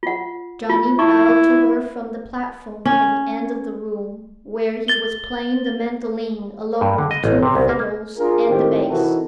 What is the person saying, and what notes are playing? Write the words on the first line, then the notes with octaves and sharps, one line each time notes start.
Johnny bowed to her from the platform at the end of the room, where he was playing the mandolin along with two fiddles and the bass.
F4 F#5
F4
D#4 E4 C#6
C#4
A6 G7
G2
D3
D#5
A1
C3
C2
A#3
D4 F4 G#4 A#4
A2 D#3 C4 D#4 F4 G4
C3 E3 D#4 F#4 A4 A#4